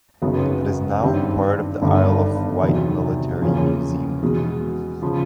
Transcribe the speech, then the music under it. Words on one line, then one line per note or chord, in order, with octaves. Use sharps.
It is now part of the Isle of Wight Military Museum.
G#1 F#2 C#3 F#3 B3
G2 D#3 G3 C4
G1 G2 D#3
E2 C3 D#3 F#3
E2 C#3 F3 A#3 C#4
E2 B2 G#3
C#3 F3